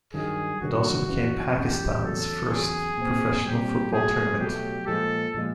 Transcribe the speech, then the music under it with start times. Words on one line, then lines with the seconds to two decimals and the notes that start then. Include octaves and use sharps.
It also became Pakistan's first professional football tournament.
0.14 G2 D#3 F#3 G#4
0.61 G2 D#3 F#3 F#4
1.09 F#2 C#3 E3
1.56 F#2 C#3 E3 G4
2.03 E2 C#3 F#3 A4
2.51 E2 C#3 F#3 G#4
2.98 A#2 G3 C4
3.45 A#2 G3 C4 G4
3.92 B2 F#3 A3 G#4
4.39 B2 F#3 A3 G4
4.87 A#2 F3 G#3 A4
5.34 A#2 F3 G#3